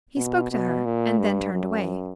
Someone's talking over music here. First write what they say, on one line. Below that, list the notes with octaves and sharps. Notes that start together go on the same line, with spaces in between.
He spoke to her, and then turned away.
B2
B2
A#2
G2
F#2